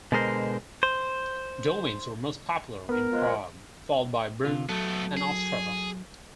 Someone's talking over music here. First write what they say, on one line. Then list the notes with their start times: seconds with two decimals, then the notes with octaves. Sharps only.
Domains were most popular in Prague, followed by Brno and Ostrava.
0.12 B2 D3 G#3 A#4 C5
0.83 C5
2.89 B3 A#4
3.11 F3 G#3
4.45 C3 F4
4.69 F#3 A3 B3 A4
5.17 G#4